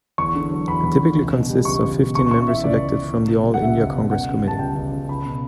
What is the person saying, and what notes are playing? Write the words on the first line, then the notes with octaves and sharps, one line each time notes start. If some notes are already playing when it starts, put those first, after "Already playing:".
It typically consists of fifteen members elected from the All India Congress Committee.
E2 C#6
D3
F#3
E2 B5
E2
D3
C#2
B2
G3
C#2 C#6
C#2
B2
C#2 C#6
C#3 C#6
E3 E5
C#2 D5
C#2
C#3
C#2
B2
G3
F#5
C#2 E5
C#2
B2
C#2 F#5
C#3
G3 A5
C#2 G5
C#2
C#3
C#2 B5
B2